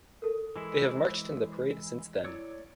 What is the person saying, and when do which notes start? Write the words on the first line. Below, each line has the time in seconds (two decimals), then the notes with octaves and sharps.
They have marched in the parade since then.
0.22 A4 A#4
0.56 E3 G#3 E4
2.25 E4 C#5 D5 E6